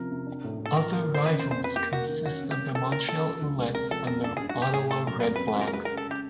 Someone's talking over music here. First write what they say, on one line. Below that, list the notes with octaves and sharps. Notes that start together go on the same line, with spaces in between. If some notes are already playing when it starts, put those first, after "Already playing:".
Other rivals consist of the Montreal Alouettes and the Ottawa Redblacks.
Already playing: C3 F3 A#4
C3
D4
A2
A2
A4
F3 A#4
A#3
A#3 C5
C#3 B4
C5
F2
C5
F2 B4
A#3 G4
A#3 F#4
D#3
C#4 F#4
C3
G4
A#3
C#3 A4
A#3 A#4
C#3 A4
F3
D2
G#3
C3 A#4
F3 A4
F2 A#4
G2 A4
G#4
G2
F#4
G2 G4
A2 G#4
A3 A4
F#3 A#4
B4
F2 A#4
B4
C3
B4
G#3 A#4
A#4
G#3 B4
A#4
C#3
A4
C#3 G4